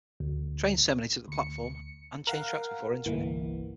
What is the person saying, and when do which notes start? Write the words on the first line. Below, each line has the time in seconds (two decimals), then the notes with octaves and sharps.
Trains terminated at the platform, and changed tracks before entering it.
0.20 D2
1.28 D2 C#7
2.27 A#4 F5 F#5
3.06 G1 C2 E3 A#3